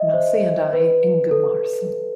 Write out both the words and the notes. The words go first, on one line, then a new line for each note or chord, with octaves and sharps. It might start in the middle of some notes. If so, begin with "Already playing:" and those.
Massey and I. Ingemarsson.
Already playing: D#5 E5
C5
B4
A4